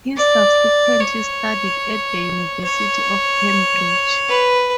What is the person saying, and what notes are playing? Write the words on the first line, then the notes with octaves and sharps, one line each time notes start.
He subsequently studied at the University of Cambridge.
D5
C#5
C#5
B4